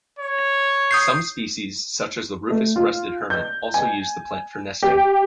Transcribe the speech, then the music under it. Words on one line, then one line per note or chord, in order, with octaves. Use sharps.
Some species such as the rufous-breasted hermit also use the plant for nesting.
C#5
D#6 G6 C7
A3
F4
G6
G#5
G4